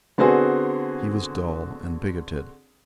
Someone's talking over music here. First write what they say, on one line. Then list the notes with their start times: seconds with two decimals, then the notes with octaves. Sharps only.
He was dull and bigoted.
0.18 D3 B3 C4 F#4 G#4